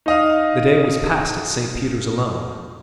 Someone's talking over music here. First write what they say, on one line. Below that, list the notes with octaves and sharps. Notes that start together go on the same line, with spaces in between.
The day was passed at Saint Peter's alone.
D#4 D#5 F5